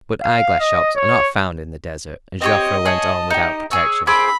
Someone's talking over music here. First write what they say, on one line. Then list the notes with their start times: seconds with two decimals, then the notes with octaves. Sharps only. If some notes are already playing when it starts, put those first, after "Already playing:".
But eyeglass shops are not found in the desert, and Joffre went on without protection.
0.23 F5
0.60 D#5
0.96 C#5
2.42 C4 G4 C#5 D#5
2.85 G#4 C#5 A5
3.30 D#4 G4
3.71 G#4 C#5 E6
4.07 G#4 C5 B5 D6 E6